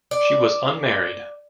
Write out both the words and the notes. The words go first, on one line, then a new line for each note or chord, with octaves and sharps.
She was unmarried.
D5